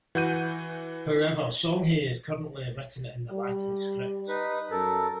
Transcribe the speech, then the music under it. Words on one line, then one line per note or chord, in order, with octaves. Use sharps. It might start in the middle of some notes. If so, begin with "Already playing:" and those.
However, Songhay is currently written in the Latin script.
E3 F#4 G6 D#7
G3
D#4 B4
F#2 A4 A#4